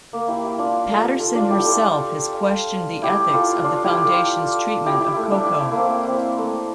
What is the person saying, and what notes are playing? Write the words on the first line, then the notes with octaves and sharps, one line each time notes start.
Patterson herself has questioned the ethics of the Foundation's treatment of Koko.
A#3
E4 G4
E4 G4
D4 F4
F4 A4
F4 A4
D4 F4
E4 G4
F4 A4
E4 G4
F4 A4
D4 F4
E4 G4
F4 A4
E4 G4
E4
A3
D4
E4
A#3
C4
C4
A3